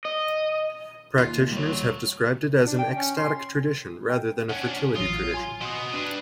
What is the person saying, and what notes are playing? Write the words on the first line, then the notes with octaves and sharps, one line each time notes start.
Practitioners have described it as an ecstatic tradition rather than a fertility tradition.
D#5
D#2 F4
G3 C#5
D4
G5
C#4
C6
G5
C#4 D4 F#5
A1 F#3 F4 D#6
G#5 C6
F#4 D#5 C6 D#6
D4 B4